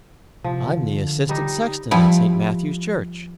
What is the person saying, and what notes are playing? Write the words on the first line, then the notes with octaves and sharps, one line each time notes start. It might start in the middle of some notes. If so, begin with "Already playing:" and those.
"I'm the assistant sexton at St. Matthew's Church."
C3 F3
D3
G3 D#4
F3 G3 E4